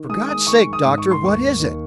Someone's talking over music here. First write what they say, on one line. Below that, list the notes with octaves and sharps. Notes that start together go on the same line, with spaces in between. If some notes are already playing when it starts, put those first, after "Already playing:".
"For God's sake, Doctor, what is it?"
Already playing: D#3
G#3 D#6
D#6
D#3 C#6
D#6
G#2
C#6
C6
D#2 C#6
D#2